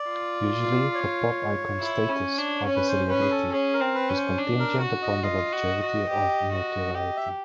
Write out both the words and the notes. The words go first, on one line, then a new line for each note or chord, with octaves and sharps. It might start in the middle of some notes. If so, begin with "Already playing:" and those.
Usually, the pop icon status of a celebrity is contingent upon longevity of notoriety.
Already playing: D5
F4
C#5
E4
C#4
D4
C#4
B4
C5
C#4 B4
G#4
A4
C#4 G#4
A#4
C4
B4
C#4
C5
D4
A#4
F#4
D#5
F4 D#5
F#4
F#4
G4
F#4
G4 D#5
E5